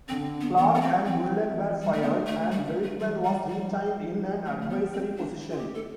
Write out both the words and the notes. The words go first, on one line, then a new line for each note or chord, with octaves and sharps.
Clark and Bullen were fired, and Veltman was retained in an advisory position.
D3 C4
B3
E3 B3
B3
C4
F3 C4
E3
G3
A3
D3 B3
A3
D3 G3
A3
A3
E3 G3
G3
F3 G3
F3
A3
A3
B3
C4
D4
E4
F4
G4
A4